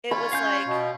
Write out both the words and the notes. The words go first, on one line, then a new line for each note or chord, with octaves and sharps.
it was, like
F4 C#5 B5
C#4 F5 G6
B2